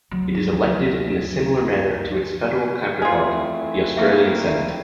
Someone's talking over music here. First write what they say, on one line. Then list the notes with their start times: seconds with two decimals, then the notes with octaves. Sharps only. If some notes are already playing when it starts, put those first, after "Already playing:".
It is elected in a similar manner to its federal counterpart, the Australian Senate.
0.11 D2 F#3
3.02 A3 C4 E4 F4 G#4 C5
3.97 A#3 E5 C#6